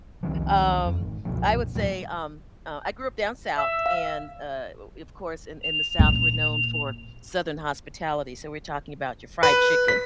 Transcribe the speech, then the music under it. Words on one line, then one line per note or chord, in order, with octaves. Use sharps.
um, I would say, um, uh, I grew up down south, and, uh, of course, in in the South, we're known for southern hospitality, so we're talking about your fried chicken,
C2 D#3 F3
F2
G#1
F#1 C2 B2 F3
D#2 A#2 F#3 G3
E5
F5
F7
A#2
B4
B6